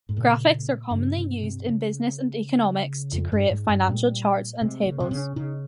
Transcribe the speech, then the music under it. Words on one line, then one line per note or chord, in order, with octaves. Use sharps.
Graphics are commonly used in business and economics to create financial charts and tables.
G#2
A#2 C#3
G2 C#3
C3
C3
C#3
F2
G2
G#2
G2
A#2 G3
C3 G#3
A#3
C#3
C3 C4
C#3
C#4
C#3 D#4